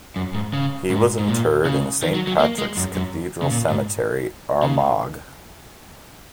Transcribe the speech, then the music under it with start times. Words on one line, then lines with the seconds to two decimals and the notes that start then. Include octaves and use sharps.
He was interred in Saint Patrick's Cathedral Cemetery, Armagh.
0.16 F#2
0.35 G#2
0.53 C#3
0.90 G#2
1.19 G#2
1.28 A#2
1.65 C#3
2.03 D#3
2.15 F#3
2.27 F#3
2.40 A#3
2.58 G#3
2.77 F#2
2.95 F#2
3.42 C#3
3.51 A#2
3.70 G#2
4.63 C#3